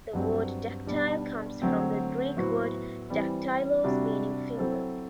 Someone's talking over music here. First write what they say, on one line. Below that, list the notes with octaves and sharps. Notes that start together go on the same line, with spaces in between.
The word dactyl comes from the Greek word "daktylos" meaning "finger".
G2 F#3 C4 F#4
B2 G3 D4
D3 F#3 A3 C4
A2 F#3 B3 F#4 C5
E3 G3 C4
C3 G3 D4 F#4
F#3 C4 E4 A4 C5